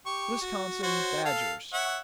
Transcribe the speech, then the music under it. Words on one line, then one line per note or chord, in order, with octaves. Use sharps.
Wisconsin, badgers.
G4 C#6
F#4
F#4 C5 C#5
A4 F5
C#5 E5 F#5